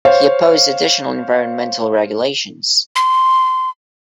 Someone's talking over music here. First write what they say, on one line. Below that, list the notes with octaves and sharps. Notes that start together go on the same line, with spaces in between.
He opposed additional environmental regulations.
C5 C#5 F5
C6